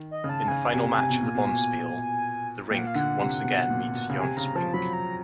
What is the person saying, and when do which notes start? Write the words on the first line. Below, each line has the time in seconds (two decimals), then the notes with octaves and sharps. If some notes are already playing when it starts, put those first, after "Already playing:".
In the final match of the bonspiel, the rink once again meets Yount's rink.
Already playing: D#3
0.11 D#5
0.24 C#3
0.29 A5
0.48 C#3 G#5
0.73 C3
0.98 C3
1.10 B2
1.23 A#2
1.35 B2
2.71 A#2 G5
2.79 F#5
2.87 F5
2.95 D3 F#5
3.20 C3
3.44 B2
3.69 A#2
3.94 B2
4.10 C#3
4.18 C3 G#5
4.37 C#3 A#5
4.55 F3 A5
4.74 F#3 B5
4.93 A#5